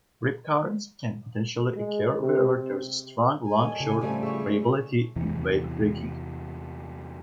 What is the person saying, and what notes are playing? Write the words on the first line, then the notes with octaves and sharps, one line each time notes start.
Rip currents can potentially occur wherever there is strong longshore variability in wave breaking.
G#3
C3
G#5
A#2 G3 A4 A#4 C#5 D#5
C#3 F#4 G4
A2 F3 G3 A3 C4 F4
G3 G#4 E5 C#6
E2 C3 E3